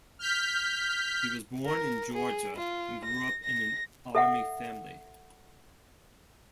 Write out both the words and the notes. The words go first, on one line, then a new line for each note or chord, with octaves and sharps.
He was born in Georgia and grew up in an Army family.
F6 G6 B6
A#4
G#4
F4
A#6
A#6
A4 E5 F#5